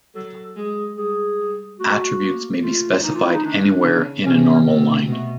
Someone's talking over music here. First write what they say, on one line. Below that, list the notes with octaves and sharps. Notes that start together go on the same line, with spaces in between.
Attributes may be specified anywhere in a normal line.
F#3 A4
G#3 G#4
G3 G#4
G3
A3 F#4
A#3
A3 F4
E3 D#4
F4
E4
D#4
D#3 D4
C#3
C3 C#4
B2 C4
B2 A3